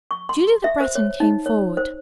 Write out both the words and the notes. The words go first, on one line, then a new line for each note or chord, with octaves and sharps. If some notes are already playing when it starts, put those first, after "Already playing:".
Julie Le Breton came forward.
C#6
C6
E5
C5
C#5
D#4
C#5
C5